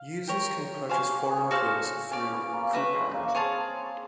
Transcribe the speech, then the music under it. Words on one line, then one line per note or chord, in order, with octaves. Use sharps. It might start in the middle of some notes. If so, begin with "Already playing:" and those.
Users can purchase foreign goods through Coupang.
Already playing: F5
G4 A#4 C#5
F#4 C5 F5 G#5
G4
G#4
C#4
D4 F#4 A4 C5 F5
C#4 D5 F5 G#5
B3
A#3
A3 F#4 B4 E5
G#3
A#3
C4 G#4 C#5 F5 A5